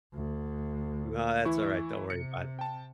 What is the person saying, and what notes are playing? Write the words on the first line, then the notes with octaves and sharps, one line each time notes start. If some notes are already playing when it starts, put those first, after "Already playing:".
No, that's alright. Don't worry about it.
D2
E3 E4 C#6
C3 C#7
G5 A5